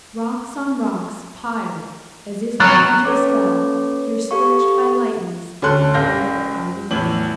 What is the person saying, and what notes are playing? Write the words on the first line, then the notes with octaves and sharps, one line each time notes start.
Rocks on rocks piled, as if by magic spell, Here scorch'd by lightnings, there with ivy green.
F#2 F#3 F6 F#6 A6
A#3 C#4 A4 B4 C#5 D6
G4 A4 F5 C#6
D2 C#4 A4 C6 F#6
F#1 F5 G6 A#6
E2 A2 F#7